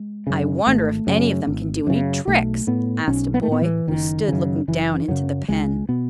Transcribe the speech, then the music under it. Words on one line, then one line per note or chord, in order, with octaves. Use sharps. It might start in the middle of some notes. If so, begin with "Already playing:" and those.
"I wonder if any of them can do any tricks?" asked a boy who stood looking down into the pen.
Already playing: G#3
F#2 C#3
G#1 A3
F#2 C#3
G#1
F#2 C#3
B1 A3
A2 B3
B1 C#4
B3
A3
A2 B3
E3
F#1 D#3
F#2 C#3
F#1 E3
F#2 C#3 F#3
C#2 G#3
B2 B3